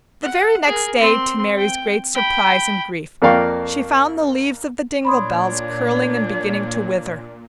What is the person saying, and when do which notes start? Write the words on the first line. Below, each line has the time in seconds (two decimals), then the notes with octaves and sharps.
The very next day, to Mary's great surprise and grief; she found the leaves of the dingle-bells curling and beginning to wither.
0.23 F#5
0.66 G#4 A#4
0.99 C4 C6
1.57 G5
2.15 G5 B5
3.22 F2 A#3 D5 F5 G5 C#6
5.05 A#2 D4 C#5 B5 C6 D#6